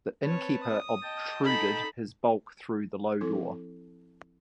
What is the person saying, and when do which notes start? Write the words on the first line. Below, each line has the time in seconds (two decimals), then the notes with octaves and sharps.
The innkeeper obtruded his bulk through the low door.
0.24 C4 B4 C#5 A5
0.64 D#6
1.03 D#5 G5 A5
1.44 D#4 A4 B5
3.21 F3 C4 E4 A4 D6